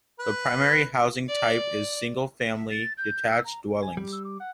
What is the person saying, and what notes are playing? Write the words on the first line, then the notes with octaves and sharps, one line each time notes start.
The primary housing type is single-family, detached dwellings.
B4
D5
E5
A6
G6
E6
A#5
G#5
G3 G4
E6
D6
F#5